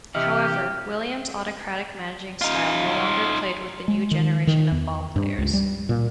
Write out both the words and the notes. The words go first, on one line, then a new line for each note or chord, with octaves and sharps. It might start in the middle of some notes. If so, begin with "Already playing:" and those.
However, Williams' autocratic managing style no longer played with the new generation of ballplayers.
C3 E3 G4 D#5 E5 F6
D#4 F4
G#3
D#3
D#3
E2
G2
C#2
G3
A#2